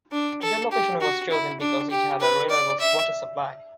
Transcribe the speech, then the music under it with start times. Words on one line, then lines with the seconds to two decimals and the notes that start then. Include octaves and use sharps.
The location was chosen because it had a reliable water supply.
0.12 D4
0.42 A4
0.71 G4
1.01 F#4
1.31 E4
1.60 D4
1.90 G4
2.20 B4
2.50 D5
2.80 E5